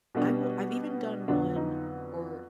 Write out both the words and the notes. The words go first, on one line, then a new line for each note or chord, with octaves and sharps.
I will I've even done one, or
B2 G3 B3 D4
F2 D3 F#3 B3 D4
D#4